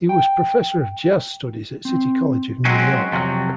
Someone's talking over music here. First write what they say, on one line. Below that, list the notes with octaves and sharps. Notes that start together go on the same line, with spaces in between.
He was Professor of Jazz Studies at City College of New York.
G5
C4
F#3 G#3 C4 C#4
F2 C3 F#3